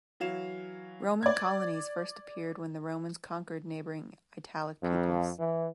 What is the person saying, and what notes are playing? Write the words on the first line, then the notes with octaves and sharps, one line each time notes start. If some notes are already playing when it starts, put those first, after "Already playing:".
Roman colonies first appeared when the Romans conquered neighbouring Italic peoples.
E3 F#3 F5 E7
D5 G#6
F2
E3